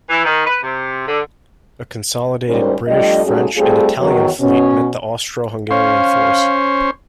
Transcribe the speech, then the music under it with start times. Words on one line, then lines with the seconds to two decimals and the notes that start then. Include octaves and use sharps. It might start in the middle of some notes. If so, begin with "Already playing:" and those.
A consolidated British, French and Italian fleet met the Austro-Hungarian force.
0.09 E3
0.25 D#3
0.46 B4
0.63 C3
1.07 D3
2.48 D2 G#2 G3 C#4 A#4 C5
2.87 F2 G3 A3 D4 D#5
3.25 G#2 G3 A3 C#4 F#4 G#4
3.56 G3 A3 C4 F4 G#4
3.99 E2 D#3 F#3
4.40 B2 C#4
5.71 C#4 C5 F5